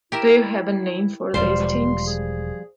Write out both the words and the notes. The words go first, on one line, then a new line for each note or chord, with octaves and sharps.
Do you have a name for these things?
E4 G4 A#4 E5
E1 D#2 F3 G3 G#3 C5 F5 C6
G#4